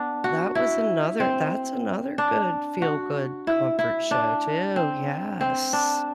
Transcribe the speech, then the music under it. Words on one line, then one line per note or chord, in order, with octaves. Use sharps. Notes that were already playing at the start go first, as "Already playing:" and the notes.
That was another that's another good feel-good comfort show too, yes.
Already playing: B3 D4
F#4
E4
C4
D4
F#4
E4
E4
D4
C4
C4
D4